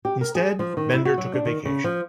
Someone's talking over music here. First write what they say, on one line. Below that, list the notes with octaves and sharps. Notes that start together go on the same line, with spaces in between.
Instead Bender took a vacation.
G4
A#4
G#4
F3
D#3
E4
F#4
F#3
D4
D#3
C#3
F3